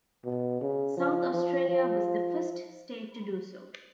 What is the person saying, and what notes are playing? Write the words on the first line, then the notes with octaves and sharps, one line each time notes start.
South Australia was the first state to do so.
B2
C#3
F3
F3
F3